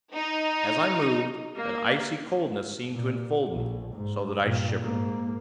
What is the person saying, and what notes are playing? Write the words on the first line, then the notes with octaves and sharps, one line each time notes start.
As I moved, an icy coldness seemed to enfold me, so that I shivered.
D#4
A#3
A#2
A#1
G#2
G2 A#2
G#2 A#3